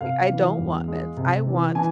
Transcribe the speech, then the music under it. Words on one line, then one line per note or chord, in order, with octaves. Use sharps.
I don't want meds, I want
C3 F5
E3
E2
G#3
C3
E3
E3 G#5